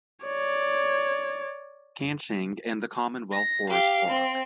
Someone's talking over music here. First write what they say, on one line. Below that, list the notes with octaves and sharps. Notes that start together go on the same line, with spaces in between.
Kanching, and the Commonwealth Forest Park.
C#5 D5
A#6
G4 F5
C4